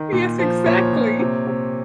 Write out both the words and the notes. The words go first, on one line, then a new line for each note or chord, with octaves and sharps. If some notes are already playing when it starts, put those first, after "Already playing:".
Yes, exactly.
Already playing: D#3
A#2
F3
A#2 C#5
A#2
C3
C3